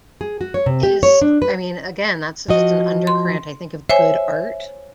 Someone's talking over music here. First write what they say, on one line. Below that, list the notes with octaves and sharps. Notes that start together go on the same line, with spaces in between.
is I mean, again, that's just an undercurrent, I think, of good art.
G#4
F#4
C#5
C3
G4
C#5
D4
B4
F3 F#4 D#5
C6
C5 C#5 E5 G#5